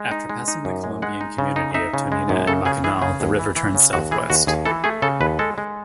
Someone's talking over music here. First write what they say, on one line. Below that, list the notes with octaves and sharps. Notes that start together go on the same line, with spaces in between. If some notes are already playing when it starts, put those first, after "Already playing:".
After passing the Colombian community of Tonina and Macanal the river turns Southwest.
Already playing: G#3
D#4
G#3
D#4
F#2
G#3
G#3 F#5
D#4
C#3
D#4
D#4 E5
C#3
G#3
F#2
C#3 A4
C#3 G#4
E3 G#4
C#3 G#4
D#2
E3
E3
C#3
D#2 F#4
E3 G#4
D#2 F#4
D#2 G#4
E3 A4
A3 G#4
C#3 A4
D#2 B4
G#3 A4
G#3